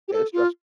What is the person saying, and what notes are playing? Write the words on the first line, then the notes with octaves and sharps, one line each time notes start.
Yeah, that's stress
G4
A4
F4